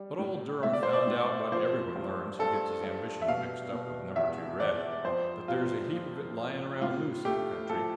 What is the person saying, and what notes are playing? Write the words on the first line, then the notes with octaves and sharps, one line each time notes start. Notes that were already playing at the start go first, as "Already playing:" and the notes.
But old Durham found out what every one learns who gets his ambitions mixed up with number two red--that there's a heap of it lying around loose in the country.
Already playing: G3
A2
A2 E5
D5
C5
D5
A2
F3 C5
G2
G2 A4
G2
E5
B2 F5
B2
E2 E5
E2 D5
F2 C5
C3 F4
F3
F3
A2 F4
A3 G4
F3 A4